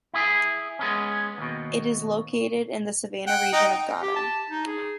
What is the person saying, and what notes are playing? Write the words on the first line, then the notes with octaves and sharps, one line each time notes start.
It is located in the Savannah region of Ghana.
E4 G#4
G#3 B3 C#4
D#2 B2
F#5 G5
D#4 G5
G4
A5
D#4
G#4